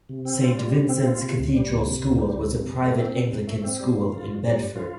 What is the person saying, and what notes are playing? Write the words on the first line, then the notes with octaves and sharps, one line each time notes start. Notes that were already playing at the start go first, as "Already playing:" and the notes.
Saint Vincent's Cathedral School was a private Anglican school in Bedford.
C3
C4
F4
G3
C3
C4
F4
C3
D2
G3
D2
C3
D2
G3
D2
C3
F2
A3
C4
C3
F2
A3
C4
G3
G2
F4
G2
G3
G2
F4